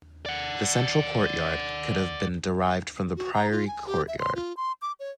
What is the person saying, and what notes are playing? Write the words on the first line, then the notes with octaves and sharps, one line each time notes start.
The central courtyard could have been derived from the priory courtyard.
D5 F#5
F#4
A#5
F4
G#5
G4
E5
C6
F4
C6
D6
C#5